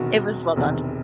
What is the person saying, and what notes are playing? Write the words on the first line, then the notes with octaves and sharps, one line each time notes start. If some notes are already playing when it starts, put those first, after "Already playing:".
it was well done.
Already playing: E1 E2 C3 D#3 F#4
E1 E2 C3 D#3